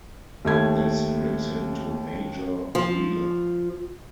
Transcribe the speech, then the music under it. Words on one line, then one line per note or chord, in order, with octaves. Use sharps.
This brings him to Major Wheeler.
D#2 A3 G#6
F3